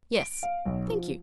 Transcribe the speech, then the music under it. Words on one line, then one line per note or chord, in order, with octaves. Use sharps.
Yes, thank you.
D7
F5
B1
F3